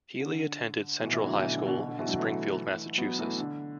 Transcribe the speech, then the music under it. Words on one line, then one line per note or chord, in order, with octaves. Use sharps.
Healey attended Central High School in Springfield, Massachusetts.
D3
B2 E3
E3 A3
D3 F#3
B2 E3
D3
B2
B2
D3
B2 E3
D3 F#3
E3 A3
F#3 B3
E3 A3
D3